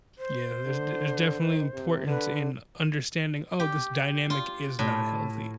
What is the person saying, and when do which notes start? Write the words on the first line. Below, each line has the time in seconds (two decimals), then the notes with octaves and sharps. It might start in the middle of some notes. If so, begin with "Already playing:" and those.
Yeah, there's d there's definitely importance in understanding, "Oh, this dynamic is not healthy."
0.18 C5
0.66 D3
1.41 D#3
1.74 C3
2.07 D3 B4
3.60 G4
4.30 F4
4.79 A2